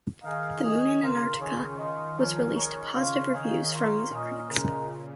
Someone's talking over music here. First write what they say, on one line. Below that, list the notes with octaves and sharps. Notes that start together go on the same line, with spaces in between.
"The Moon and Antarctica" was released to positive reviews from music critics.
D#3 D#4 G#4 F5
C#4 G#4 D#5
C#3 A#3 F4 A#4 F5
D#3 C#4 F4 G#4 C#5
D#3 C#4 F4 A#4 D#5
F3 C#4 A#4 C#5
D#3 G#3 C#4 A#4 C#5
C#3 F4 C#5 F5
D#3 D#4 G#4 C#5 F5
D#3 A#3 C#4 F4 A#4
A#2 C#4 A#4 D#5
C#3 G#3 D#4 A#4